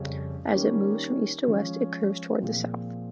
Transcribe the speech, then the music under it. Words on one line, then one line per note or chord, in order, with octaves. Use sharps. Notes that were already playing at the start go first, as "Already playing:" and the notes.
As it moves from east to west, it curves towards the south.
Already playing: F2 C#3 G3 C#4
D#3 G3 A#3 C#4 G4
F3 G#3 C#4
A#2 F3 C4 F4 G#4